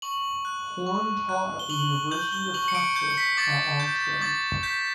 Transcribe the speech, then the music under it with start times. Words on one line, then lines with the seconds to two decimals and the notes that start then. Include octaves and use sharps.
Horn taught at the University of Texas at Austin.
0.02 C#6 F#7
0.45 F#6
0.86 C#6
1.29 F#6
1.59 G7
1.70 C#6 F#7
2.11 G6 F#7
2.32 G7
2.54 C#6 F#7
2.68 C#7
2.75 D7
2.95 G6 C#7
3.10 C#7
3.17 B6
3.37 D6 A6
3.80 G6
4.21 D6 A6
4.63 G6 B6